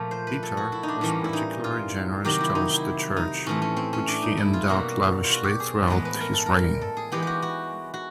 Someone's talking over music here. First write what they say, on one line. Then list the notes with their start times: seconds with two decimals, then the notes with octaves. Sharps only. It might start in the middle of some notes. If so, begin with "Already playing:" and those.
Petar was particularly generous towards the Church, which he endowed lavishly throughout his reign.
Already playing: A#2 F3 A3
0.11 C5
0.27 B4
0.43 A4
0.57 F#4
0.72 E4
0.83 D#4
0.88 D4
1.01 A2 E3 G3 A#3 C#4
1.24 E4
1.33 D#4
1.64 F4
2.24 C3 D#3 F#3 G4
2.41 E4
2.55 D#4
2.71 E4
3.17 D#4
3.46 A2 E3 A3 C4 C#4
3.62 C#4
3.76 C4
3.93 C#4
4.08 D4
4.23 D#4
4.37 E4
4.53 F4
4.68 B2 G3 A#3 F#4
5.24 F4
5.30 F#4
5.44 G4
5.60 G#4
5.88 A2 E3 G#3 B3 B4
6.05 B4
6.20 A#4
6.33 A4
6.46 A#4
6.81 A4
6.97 G#4
7.12 E3 G#3 B3 G4
7.22 F#4 G4
7.42 F#4
7.94 F#4